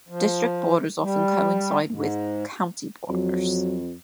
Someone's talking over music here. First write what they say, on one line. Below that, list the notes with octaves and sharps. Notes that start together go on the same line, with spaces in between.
District borders often coincide with county borders.
F3
G3
G#2
F2 F#3